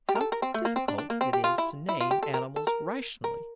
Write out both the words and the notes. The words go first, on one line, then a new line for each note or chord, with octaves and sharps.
How difficult it is to name animals rationally!
G4
A#4
A4
A#4
C4
A3
A#3
C4
D4
D4
A#3
C4
G4
F4
E4
E4
F4
G4
A4
A#4
A4
A#4
A#4